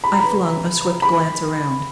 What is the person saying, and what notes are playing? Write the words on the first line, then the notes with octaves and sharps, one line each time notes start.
I flung a swift glance around.
B5
A#5
B5
B5